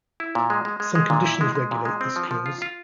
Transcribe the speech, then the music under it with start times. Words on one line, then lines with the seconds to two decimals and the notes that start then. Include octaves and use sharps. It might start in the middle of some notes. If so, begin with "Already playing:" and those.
Some conditions regulate this clause.
0.20 E4
0.35 A#2
0.50 G#3
0.65 G#3
0.80 G#3
0.95 G#3
1.10 A#2
1.26 E4
1.41 G#3
1.55 G#3
1.71 A#2
1.85 G#3
2.01 C4
2.16 F3
2.31 F3
2.46 F4
2.62 F4